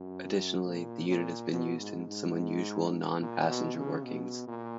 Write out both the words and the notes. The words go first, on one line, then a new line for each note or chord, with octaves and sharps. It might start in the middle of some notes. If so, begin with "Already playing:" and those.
Additionally, the unit has been used in some unusual non-passenger workings.
Already playing: F#2
A#2
A#2
B2
G#2
G#2
A#2
B2
C#3
B2
A#2